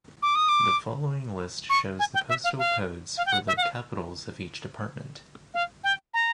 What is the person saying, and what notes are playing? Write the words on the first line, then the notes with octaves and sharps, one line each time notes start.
The following list shows the postal codes for the capitals of each department.
D6
D#6
D6
C#6
G#5
G5
E5
F5
F5
F5
G5
F#5
E5
F#5
F5
F5
G5
A#5